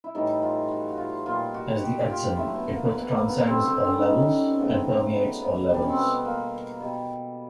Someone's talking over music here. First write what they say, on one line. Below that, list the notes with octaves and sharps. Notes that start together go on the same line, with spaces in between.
As the Etzem, it both transcends all levels, and permeates all levels.
E4
A2 E3 G3 D#4
F4
F#4
F#4
F4
A#2 G3 F4
F#4
G4
F4
D3 F#3 A3 E4
B3
A#3
B3
A#3
B3
D3 G3 C4
C4
C#4
D#4
C#4
C#4
C4
C#3 F#3 A3 B3
C4
B3
B3
B2 G3 D4
C#4
C4
B3
A#3
B2 G3